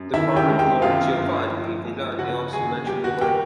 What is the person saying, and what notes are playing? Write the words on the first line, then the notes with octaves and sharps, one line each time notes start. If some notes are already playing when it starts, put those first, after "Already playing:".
The chronicler Giovanni Villani also mentioned the ware.
Already playing: F#2
D#3 E4 E5
G4 G5
G#3
G4 G5
F#2 F4 F5
G1
F3
G#3
C#3 F#4 F#5
F#2 G#4 G#5
G3 G4 G5
F#4 F#5
A#3 G4 G5